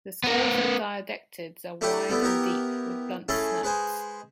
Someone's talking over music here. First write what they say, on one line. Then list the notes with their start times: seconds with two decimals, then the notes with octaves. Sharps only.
The skulls of diadectids are wide and deep with blunt snouts.
0.24 B3 A#4
1.81 A3 D4 E4 G4 F#5
2.09 G3 A3 B3 E4
2.22 B3 E4 G4 A#4
3.29 A3 C#4 E4 G#4 A4
3.63 G#3 B4 C5 G#5